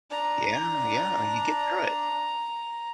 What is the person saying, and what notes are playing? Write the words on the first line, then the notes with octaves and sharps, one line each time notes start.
Yeah, yeah, you get through it.
D4 D5 A#5